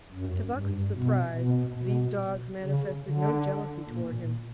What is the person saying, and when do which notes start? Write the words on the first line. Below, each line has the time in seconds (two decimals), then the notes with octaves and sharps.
To Buck's surprise these dogs manifested no jealousy toward him.
0.12 F#2
0.53 G2
0.95 B2
1.37 B2
1.79 B2
2.63 C#3
3.05 D3
3.88 A#2